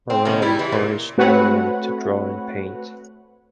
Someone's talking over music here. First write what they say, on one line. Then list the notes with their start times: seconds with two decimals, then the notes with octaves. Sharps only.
Marrel encouraged Merian to draw and paint.
0.10 C4
0.25 B2 D#3 A#3 C#4
0.42 G3 E4
0.59 E3
0.72 A#2
1.18 A3 C4 F#4 B4 C#5 F#5